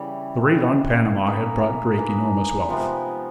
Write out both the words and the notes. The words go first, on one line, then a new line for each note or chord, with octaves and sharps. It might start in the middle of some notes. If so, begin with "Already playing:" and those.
The raid on Panama had brought Drake enormous wealth.
Already playing: C#3 E3 G3
C#3 E3 G3
A#3 D#4 G#4 B4
A#3 D#4 G#4 B4
C3 F3 G#3 B3